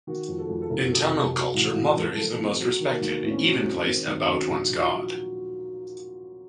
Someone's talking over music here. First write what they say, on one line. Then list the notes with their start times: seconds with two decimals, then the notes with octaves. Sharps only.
In Tamil culture, Mother is the most respected, even placed about one's god.
0.07 D#3 F#4
0.28 F2
0.39 A4
0.49 F2
0.62 A4
0.70 F#1 A#4
0.83 F#4
0.91 C3 A4
1.13 C3
1.34 F#3
1.54 A1
1.76 A1
1.91 A4
1.96 F3 A#4
2.12 A4
2.18 F3
2.39 F3
2.44 C4
2.60 F#3
2.80 D#3
2.91 A#3
3.01 D#2
3.22 A2 C4
3.31 C#4
3.37 C4
3.44 F#3
3.64 F#3
3.86 D#3 C4
4.07 D#2 C4
4.28 F#3 C#4
4.48 A#1 D#4
4.70 A#1
4.80 F4
4.92 F#3